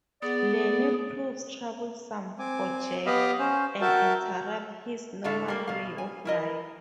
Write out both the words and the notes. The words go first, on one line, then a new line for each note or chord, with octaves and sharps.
Lenny proves troublesome for Jake, and interrupts his normal way of life.
B3 G#4 D5
C4 G#5 D6
B3 G4 D#5 F5 B5
C#4 C5
F#4 A#4 E5 G5 A5
A2 D3 A3 A4 E5 F5
G3 A#3
B2 F5
G#5
E4 A#4 D#5